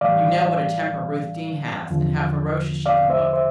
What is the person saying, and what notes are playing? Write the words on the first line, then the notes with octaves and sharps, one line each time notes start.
You know what a temper Ruth Deane has and how ferocious she can look?
A2 E3 G3 D5 F5
E2 D3 F3
D5 F5
C5 E5
C5 E5